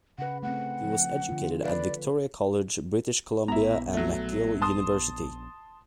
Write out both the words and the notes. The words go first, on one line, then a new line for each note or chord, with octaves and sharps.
He was educated at Victoria College, British Columbia and McGill University.
C#3 B4 F#5
A3 C4 F#5
F3
D3 F4
B4 D5
A#1 B3 E4 A#5
F#3 A3
A5 C6 D#6